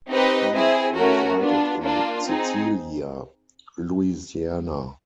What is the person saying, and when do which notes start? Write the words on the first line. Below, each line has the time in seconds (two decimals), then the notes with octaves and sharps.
He resided in Cecilia, Louisiana.
0.09 C4 D#4 G4 B4 D#5
0.52 C4 E4 G#4
0.95 A3 C#4 F#4 A#4
1.38 B3 D4 F4
1.82 A#3 D4 F4
2.25 C4 D#4 G#4